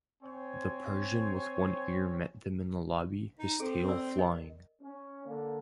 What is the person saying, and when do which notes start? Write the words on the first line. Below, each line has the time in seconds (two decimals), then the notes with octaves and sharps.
The Persian with one ear met them in the lobby, his tail flying.
0.23 C4 C5 C#5 G#5
3.39 D#4
3.60 C4 G#4 A4
3.88 D5 D#6 E6
4.18 A#4 D#5
4.82 C#4
5.26 D3 A#3